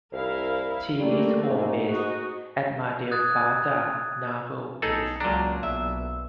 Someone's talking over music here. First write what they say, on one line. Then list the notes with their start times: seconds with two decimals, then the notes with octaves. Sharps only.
She is home based at Mar del Plata naval base.
0.12 C2 E4 A#4 F5
0.99 G3 A3 A#3
1.50 G#2
1.89 G#2 D#4 F#4
3.11 D#6 F#6 G#6 A6
4.82 B1 D#4 G#4 A4
5.20 C#2 A#2 F#3 D4 A#5
5.63 B1 E5